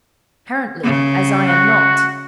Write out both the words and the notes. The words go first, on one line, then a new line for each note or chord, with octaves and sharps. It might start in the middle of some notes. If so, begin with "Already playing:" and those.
"Apparently--as I am not."
C#3
F#4